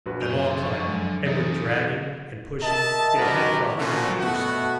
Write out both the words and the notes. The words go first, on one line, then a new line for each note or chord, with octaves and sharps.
Then all climb out, and with dragging and pushing get ahead for a hundred feet or so.
A#1 F#4 B4
F#2 D3 C6 F7
F3 C#6
F#3 G#3
E3 D#4 A4
A#4 D#5 E5 A5
F#2 F#4 G4 A#4 B4 A#5
A#2 D3 F3 A3 C#4 F#4
B2 A3 B3 F#4 F#5